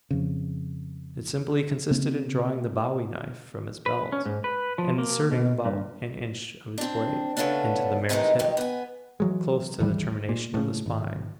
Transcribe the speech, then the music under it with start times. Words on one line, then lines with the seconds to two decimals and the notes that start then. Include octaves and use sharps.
It simply consisted in drawing the bowie knife from his belt, and inserting about in inch of its blade into the mare's hip, close to the termination of the spine.
0.11 F2 C#3
1.91 C#3 A#3 C4
3.86 B4
4.12 C#4
4.26 G#2
4.44 B4
4.78 F3
4.98 A#3
5.31 B2
5.65 G2
6.78 C4 D4
7.37 C#3 A3 B3 C#4 D4
8.09 D#2 C3 D#3 E3 G#3 D#4
8.39 F2 D#3 G4
8.57 B3 G#5
9.20 E3 F#3 G#3
9.79 D#1 G#1 E3 G3
10.29 A#2
10.54 A2 C#3
10.86 G#1